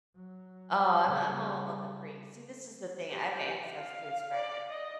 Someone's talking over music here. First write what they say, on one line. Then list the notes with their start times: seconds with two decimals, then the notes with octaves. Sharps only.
Oh, I'm I'm all about the free. See, this is the thing, I have access to a scrap yard.
0.16 F#3
1.03 C#3 G3
3.11 G4
3.76 F5
4.33 D5
4.69 D#5